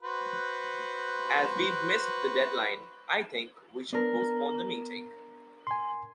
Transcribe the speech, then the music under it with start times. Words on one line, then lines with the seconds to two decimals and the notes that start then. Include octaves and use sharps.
As we've missed the deadline, I think we should postpone the meeting.
0.03 F#4 B4 C5
3.93 B3 D4 A#4
5.67 G#5 C6